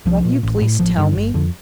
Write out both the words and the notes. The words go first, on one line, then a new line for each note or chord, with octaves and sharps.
"Won't you please tell me?"
C2 F3
A#2
A1
A2
A1 F3
G2 D3
G1
F2 D3